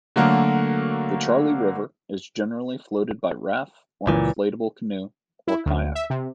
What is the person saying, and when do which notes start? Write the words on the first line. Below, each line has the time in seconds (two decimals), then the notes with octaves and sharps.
The Charley River is generally floated by raft or inflatable canoe or kayak.
0.16 D3 F#3 A3 A#3 F#4 A#4
4.07 C#2 A#2 E3
5.48 E4
5.66 D2
5.95 E5
6.10 C3